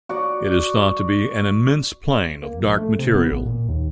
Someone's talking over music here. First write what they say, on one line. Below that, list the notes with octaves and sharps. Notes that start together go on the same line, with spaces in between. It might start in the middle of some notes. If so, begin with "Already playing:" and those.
It is thought to be an immense plain of dark material.
F#4 D5
A#3
A#1
A3
C3
B3
A1
A#2
D#2